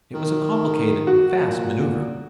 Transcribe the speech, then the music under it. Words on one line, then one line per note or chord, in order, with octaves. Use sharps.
It was a complicated, fast maneuver.
D#3
F#4
A#2